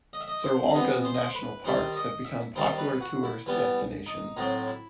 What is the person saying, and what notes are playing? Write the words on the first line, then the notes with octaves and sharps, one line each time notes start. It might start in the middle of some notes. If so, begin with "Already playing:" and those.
Sri Lanka's national parks have been become popular tourist destinations.
D#5
E5
D#5
C5
C3 E3 B3 D#5
C5
D#5
C5
B4
D#3 G3 D#4 C5
D#5
E5
D#3 G3 D#4 C5
B4
F#4
E4
E3 G3 B3
D#4
A2 F#3 C4 D#4
E4